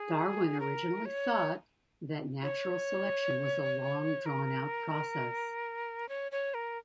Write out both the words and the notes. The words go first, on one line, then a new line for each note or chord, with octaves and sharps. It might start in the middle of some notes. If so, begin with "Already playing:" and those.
Darwin originally thought that natural selection was a long, drawn out process.
Already playing: G#4
A#4
C#5
C#5
A#4
C#5
C#5
A#4